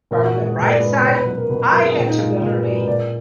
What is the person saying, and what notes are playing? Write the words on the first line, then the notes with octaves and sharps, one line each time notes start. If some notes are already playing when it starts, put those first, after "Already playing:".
from the right side, I had to literally
A#2 A#4
F#4
G#3 F#4
G#4
A#2 B4
D5
G#3 B4
B4
B2 D5
B4
F#3 B4
A#4
B2 B4
B4
F#3 A#4
G#4
A#2 F4
D#4
G#3 F4
G#4
A#2 G#4
B4
G#3 D5
B4
A#2 D5